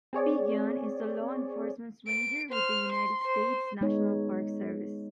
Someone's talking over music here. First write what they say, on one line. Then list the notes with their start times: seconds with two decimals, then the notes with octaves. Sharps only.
Pigeon is a law enforcement ranger with the United States National Park Service.
0.13 C4 G#4 C#5 D5
2.07 D7
2.51 C5 F6
2.92 C6
3.25 C5
3.81 G#3 B3 D#4 C#5